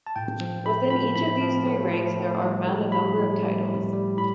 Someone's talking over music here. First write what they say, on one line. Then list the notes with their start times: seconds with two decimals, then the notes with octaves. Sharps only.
Within each of these three ranks there are found a number of titles.
0.07 A5
0.16 A2 G5
0.41 F3
0.65 A2 B5
0.90 F3 B5
1.16 A2 B5
1.41 F3
1.66 A2
1.91 F3
2.16 A2
2.42 G3
2.67 A2
2.92 G3 B5
3.17 A2
3.43 G3
3.68 A2
3.93 G3
4.18 A2 B5